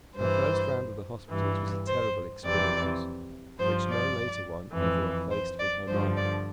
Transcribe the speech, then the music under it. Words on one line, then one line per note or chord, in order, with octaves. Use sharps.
Her first round of the hospitals was a terrible experience, which no later one ever effaced from her mind.
G2 E3 C5
G2 E3
C5
F2 C3 E3 D5
G2 F3 C5
D5
F2 E3
C5
D5
G2 D3 F3 C5
D5